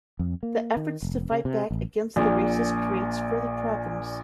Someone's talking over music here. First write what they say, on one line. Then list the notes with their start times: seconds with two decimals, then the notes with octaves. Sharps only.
The efforts to fight back against the racist creates further problems.
0.19 F2
0.43 A#3
0.77 D#3
1.02 F1
1.31 C#3
1.45 C3
1.71 A1
2.16 A#1 A#2